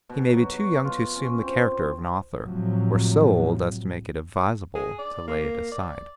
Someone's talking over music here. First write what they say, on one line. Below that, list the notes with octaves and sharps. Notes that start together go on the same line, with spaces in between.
He may be too young to assume the character of an author, or so old as to make it advisable to lay it aside.
B2
F#3
F#4
F4
C#4
C4
A2 C3 F3 F#3
G#4
D5
A#3
D5